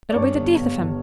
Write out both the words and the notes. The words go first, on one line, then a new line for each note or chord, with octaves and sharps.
It'll be the death of him.
D5
G2 C#5
G1
G1
G1